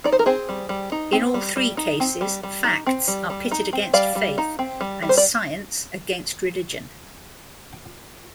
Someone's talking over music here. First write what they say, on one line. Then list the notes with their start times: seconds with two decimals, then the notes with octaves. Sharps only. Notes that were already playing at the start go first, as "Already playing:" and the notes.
In all three cases, facts are pitted against faith and science against religion.
0.04 D#4 D5
0.12 C5
0.19 A#4
0.26 C4 G#4 C5
0.49 G3
0.69 G3
0.92 D#4
1.12 C4
1.34 G3
1.56 G3
1.77 D#4
2.00 C4
2.21 G3
2.43 G3
2.64 D#4
2.86 C4
3.08 G3
3.30 G3
3.51 D#4
3.73 C4
3.93 G3 D5 F5
4.15 G3
4.38 D#4
4.59 C4
4.81 G3
5.02 G3
5.09 C5
5.17 D5